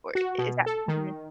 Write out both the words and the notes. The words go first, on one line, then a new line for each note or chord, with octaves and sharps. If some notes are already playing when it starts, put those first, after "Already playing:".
or is that Mhm.
F#4
B2
A4
D#3